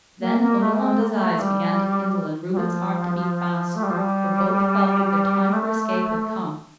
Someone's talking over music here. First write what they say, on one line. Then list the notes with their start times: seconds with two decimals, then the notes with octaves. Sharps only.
Then Onawandah's eyes began to kindle, and Reuben's heart to beat fast, for both felt that their time for escape had come.
0.20 A#3
0.40 A#3
0.60 A3
0.73 A#3
0.79 C4
1.00 A#3
1.12 A#3
1.19 A3
1.39 G3
2.52 G3
2.57 F3
3.75 A3
3.83 G3
3.90 F3
3.98 G3
5.53 A3